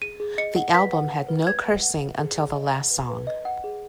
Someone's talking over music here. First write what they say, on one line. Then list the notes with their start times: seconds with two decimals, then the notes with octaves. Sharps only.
The album had no cursing until the last song.
0.02 G#4 D#7
0.20 G#4
0.38 D#5 C#7
0.56 F#5
0.74 B4 B6
0.92 F#5
1.10 F#5
1.29 B4
1.47 B4 G#6
1.65 F#5
1.83 F#5
2.01 B4
2.19 G#4
2.37 G#4
2.56 D#5
2.73 F#5
2.91 B4
3.09 B4
3.27 D#5
3.45 F#5
3.64 G#4